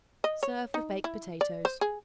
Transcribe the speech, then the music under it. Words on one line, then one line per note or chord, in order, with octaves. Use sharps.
Serve with baked potatoes.
D#5
C#5
D#4
E4
D5
C5
G#4